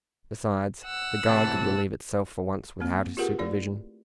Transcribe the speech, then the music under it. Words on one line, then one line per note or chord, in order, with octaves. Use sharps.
Besides, the guard could relieve itself for once without his supervision.
F#5 E6
A2 C3 E3 A5
A#3 C4
F4 G4 G#4 A#4 B4 F#5
A3 E4 D5